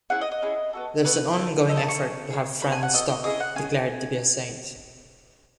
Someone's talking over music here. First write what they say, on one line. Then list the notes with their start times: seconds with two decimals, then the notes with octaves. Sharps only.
There is an ongoing effort to have Franz Stock declared to be a saint.
0.10 C#4 E4 G#4 F#5
0.21 D#5
0.32 D#5
0.42 C#4 E4 G#4
0.73 B3 F#4 A4
1.05 B3 F#4 A4 B4
1.36 A3 E4 A4
1.67 A3 E4 A4 D#5
1.77 A5
1.88 C#6
1.99 C#4 G#4
2.30 C#4 G#4
2.62 B3 F#4 A4 B5
2.72 G#5
2.83 F#5
2.93 B3 F#4 A4 D#5
3.08 D#5
3.24 C#4 E4 G#4 D#5
3.40 F#5
3.56 C#4 E4 G#4 G#5